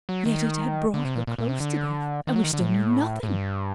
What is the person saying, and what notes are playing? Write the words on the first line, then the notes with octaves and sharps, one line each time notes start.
Yet it had brought her close to death,--and we still knew nothing.
F#3
D#3
D3
C3
A#2
A#2
A#2
C3
D3
D#3
F#3
D#3
D3
A2
A2
G2